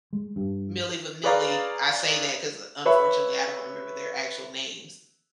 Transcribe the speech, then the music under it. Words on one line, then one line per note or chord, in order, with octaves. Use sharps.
Milli Vanilli. I say that 'cause unfortunately, I don't remember their actual names.
G#3
G2
G#4 B4 C#5 D5 F5 A#5
B4 C#5 E5 B5